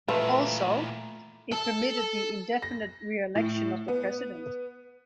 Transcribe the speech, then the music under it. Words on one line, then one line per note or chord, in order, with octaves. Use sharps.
Also, it permitted the indefinite reelection of the president.
A#2 E3 A3 F4 B4
A4 A5
A#6
A2
B3